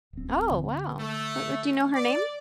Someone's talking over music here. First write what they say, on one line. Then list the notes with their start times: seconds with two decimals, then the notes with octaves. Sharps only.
Oh, wow. Her do you know her name?
0.13 D1 C4
0.51 D3
0.99 A3
1.94 D5